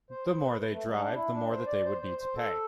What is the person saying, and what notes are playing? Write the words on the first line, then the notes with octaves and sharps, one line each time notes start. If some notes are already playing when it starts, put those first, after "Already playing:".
The more they drive, the more that they would need to pay.
C5
C5
B4
A3
G3
D4
E4
D4
C5
D5
C5
C5
C5
A4